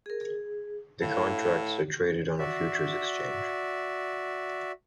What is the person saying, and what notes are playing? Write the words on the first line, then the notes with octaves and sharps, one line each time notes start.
The contracts are traded on a futures exchange.
G#4 A#4
G#4
A2 F5
F#4 D5 E5